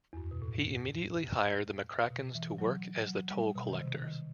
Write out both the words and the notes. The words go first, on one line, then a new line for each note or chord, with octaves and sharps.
He immediately hired the McCrackens to work as the toll collectors.
E2
F#2
B2
A2
B2
E3
F#3
F#3
G3
B2
D#3
C3
D#3